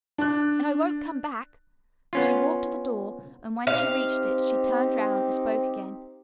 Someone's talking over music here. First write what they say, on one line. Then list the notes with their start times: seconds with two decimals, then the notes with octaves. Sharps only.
"And I won't come back!" She walked to the door and when she reached it she turned round and spoke again.
0.18 D4 F#6
2.13 B3 C#4 F4
3.67 C4 D#4 G4 F5